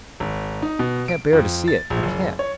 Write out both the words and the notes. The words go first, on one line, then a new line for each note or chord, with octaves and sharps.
I can't bear to see it!--I can't!
G#1
D#4
B2
D7
F2
A6
A#1
F#1
C#5